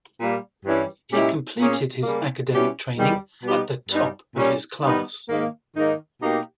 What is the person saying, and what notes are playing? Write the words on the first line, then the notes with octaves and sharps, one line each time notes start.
He completed his academic training at the top of his class.
A#2 G3 A#3
G2 E3 G3 C#4 E4
A#2 G#3 C#4 E4 G4
A#2 A#3 C#4 G#4
C#3 G3 A#3
B2 G3 C#4 E4 G4
E2 D#3 G3
B2 G3 B3 D#4 G4
G2 G3 B3 D#4
A#2 G3 C#4
D#3 G3 B3 D#4
G#2 D#3 A#3
G#2 D#3 A#3 D#4
B2 A#3 D#4 G4